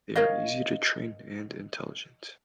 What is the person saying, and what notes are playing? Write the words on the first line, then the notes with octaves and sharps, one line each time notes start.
They are easy to train and intelligent.
A#4 C#5 D#5 F5